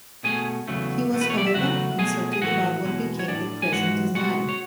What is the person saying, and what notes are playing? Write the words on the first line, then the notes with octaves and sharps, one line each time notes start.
He was however consulted about what became the present design.
B2 A3 G#4 G#5
E2 C#3 F#3 A3
E2 B2 A3
B4
C#5
D5
E5
E2 C#3 F#3 A3 F#4 F#5
B2 A3 G#4 G#5
G#5
A2 E3 A3 F#4 F#5
E2 B2 G#3
C#5
A2 G#3 D4 D5
G#5
G#2 E3 G#3 F#4 F#5
B2 G#3 F#4 F#5
C#5